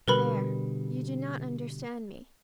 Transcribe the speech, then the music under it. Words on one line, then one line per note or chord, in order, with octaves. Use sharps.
There--you do not understand me.
B2 D3 G3 A#4 B4 B5